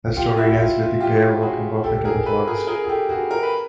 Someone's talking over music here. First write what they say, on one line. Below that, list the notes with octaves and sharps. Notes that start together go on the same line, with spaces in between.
The story ends with the pair walking off into the forest.
F4 G4
F4
E4 F#4
F4
F4
F4 G4
F#4 G#4
G4 A4
A4
G#4 A#4
A4 B4
G#4 A#4
G#4 A#4
G#4
G4 A4
F#4 G#4
A#4
B4